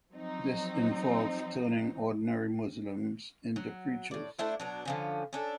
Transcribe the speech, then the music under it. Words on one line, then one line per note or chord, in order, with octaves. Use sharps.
This involved turning ordinary Muslims into preachers.
F3 F#3 C4 D#4
F#3
A2 D5
A3 D4 E4 C5
B2 F#3 D4
D3 F3 C#4
C#4 D4 A4